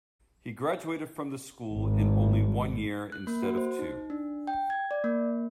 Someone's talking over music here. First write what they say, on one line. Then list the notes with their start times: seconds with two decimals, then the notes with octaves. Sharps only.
He graduated from this school in only one year instead of two.
1.72 G#1
3.12 F#6
3.27 A#3
3.43 F#4
3.57 C5
3.79 D#4
4.10 D4
4.47 G5
4.70 G#6
4.91 D5
5.04 A#3